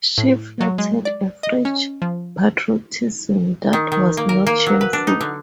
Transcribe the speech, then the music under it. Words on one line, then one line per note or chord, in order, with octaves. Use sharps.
She flattered a French patriotism that was not shameful.
A2
F#3
G#3
D5
D#5
C#4
F3
D#3
D#3
A#3
A#4
A#3
F#3
B4
D4
D#4
D3